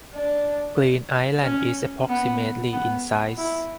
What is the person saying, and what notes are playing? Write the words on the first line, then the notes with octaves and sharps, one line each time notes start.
Green Island is approximately in size.
D4
C#4
B3
B3
E4